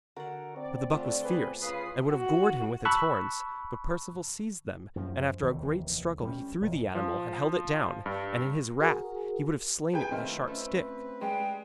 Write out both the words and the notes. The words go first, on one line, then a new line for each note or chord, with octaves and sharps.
But the buck was fierce, and would have gored him with its horns, but Perceval seized them, and after a great struggle he threw the animal, and held it down, and in his wrath he would have slain it with a sharp stick.
D3 F#4 A#4 F#5
C4 D5
D3 A3 F4 E5
B3 G#4 B4 C6
C#3 F4 B4 D#6 C7
F#4
A5 B5 C#6 E6 F#6
F#2 F3
F1 D#2 D#3 E3
G3 A3 C#4
E1 E2 A#2
F3
G2
F#4 G#4 A#4
G#4 B4 G5 G#5
D#3 A3 C4 F4
A3 C#4 A4
G3 G#3 G5